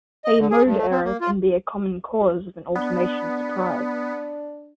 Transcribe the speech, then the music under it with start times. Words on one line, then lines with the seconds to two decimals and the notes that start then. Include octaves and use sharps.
A mode error can be a common cause of an automation surprise.
0.25 D#5
0.39 D3
0.51 G#4
0.64 G2
0.78 A3
0.91 C4
1.04 A#3
1.21 F4
2.75 B3 D4